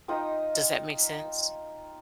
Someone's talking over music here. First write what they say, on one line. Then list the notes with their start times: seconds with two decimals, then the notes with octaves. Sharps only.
Does that make sense?
0.08 D#4 F4 G5 D#6